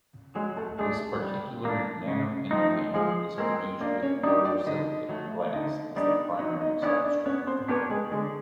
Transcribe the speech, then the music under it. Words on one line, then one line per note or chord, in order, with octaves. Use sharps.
This particular nanopin film is produced with borosilicate glass as the primary substrate.
F#3 G#3 G#4
A3 A4
G#3 A3 D4 G#4
G3
A#3 D4
C#3
F3 A3 C4 D#4
F3 G#3 G#4
G#3 A#3 C4 A#4
A#3 D4 D5
C#4 C#5
D4 D#4 G4 D5
D4 D5
D3 D#4 D#5
F#3 A3
D3 D#4 D#5
G3 B3 D4 D#4 G4 D5
F#3 D#4 D#5
D#4 D#5
B3 D4 E4 G#4 C#5 D5
D4 D5
B3 C#4 C#5
C4 C5
B3 D4 G4 A#4 B4 C#5
G#3 G#4
D3 G#3 G#4